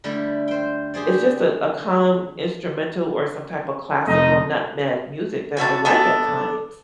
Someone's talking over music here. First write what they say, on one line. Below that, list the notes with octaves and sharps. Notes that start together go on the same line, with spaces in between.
it's just a a calm instrumental or some type of classical n ma music that I like at times,
D3 G3 A3 E4
C5 G5
G4 G#4 C5 D5
F1 D#4 D#5
E3 F#4 E5 A5
B3 D4 A4